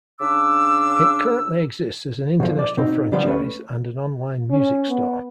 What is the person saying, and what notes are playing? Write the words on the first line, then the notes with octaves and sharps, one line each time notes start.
It currently exists as an international franchise and an online music store.
C#3 D4 D6 E6
B2 D3 F3
D5
B2 C4 D#4
D3 F3 G3 B3 D4
D2 A3 C#4 B4
C#4
B3